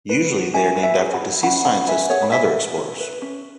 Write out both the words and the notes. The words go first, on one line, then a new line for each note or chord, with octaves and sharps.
Usually they are named after deceased scientists and other explorers.
B4
F#4
C#4 E5 G#5
B4
E5 G#5
G#4
F#5 B5
E4
C#4 F#5 B5
C#4 F#5 B5
B4 E5 G#5
G#4 C#5 F#5
B5
E4 E5 G#5
B4
E4
B4
C#4